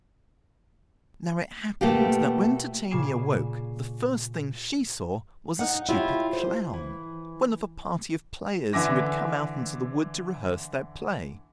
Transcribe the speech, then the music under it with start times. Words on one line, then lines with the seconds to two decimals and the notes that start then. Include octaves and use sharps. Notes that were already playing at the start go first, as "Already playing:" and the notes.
Now, it happened that when Titania woke the first thing she saw was a stupid clown, one of a party of players who had come out into the wood to rehearse their play.
1.81 B2 A3 A#3 F4 G4
2.91 A#2 C#3 G#5 D6 C7 E7
5.59 D#4 F#5
5.89 E4 F4 G4 C#5
6.33 C5
6.73 E3
8.73 D3 E3 E5 G#5 D6 A#6